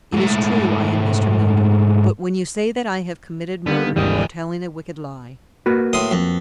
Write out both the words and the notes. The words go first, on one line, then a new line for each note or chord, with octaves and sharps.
"It is true I am Mr. Milburgh, but when you say that I have committed murder you are telling a wicked lie."
G#2 A3
D3 G3 A#3 B3
G#1 D#2 E3 G3 D#5
A#3 F#4 B4
A2 C6 D#6
F2